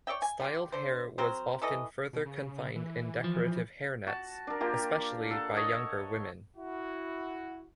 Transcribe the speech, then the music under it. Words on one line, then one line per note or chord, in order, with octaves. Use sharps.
Styled hair was often further confined in decorative hairnets, especially by younger women.
C#5 D5 E5 G5
G#5
G3 F4 G4
D3 C5
F#3 C4 A#4 C5
E3 A4 D#5
B2
C#3
E3
F3
F#4 A5
D4 A#4
A#3 F4 G4
A4 F5 F#5
C#5 D#5 F#5
E4 F#4